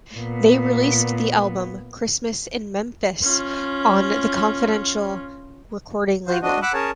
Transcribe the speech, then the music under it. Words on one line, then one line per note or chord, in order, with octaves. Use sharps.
They released the album "Christmas in Memphis" on the Confidential Recording label.
A#2 B3
C#4 F4
F4 F#4 C5
D4 F#4 D#5
F#5 B5 D6 E6 F#6
C#4 G#4 A#4 C#5 A5